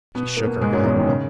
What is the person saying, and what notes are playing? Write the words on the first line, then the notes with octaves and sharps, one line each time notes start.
She shook her head.
B2 B3
A#3
B2 B3
G#2 G#3
F#2 F#3
E2 E3
D#3
C#3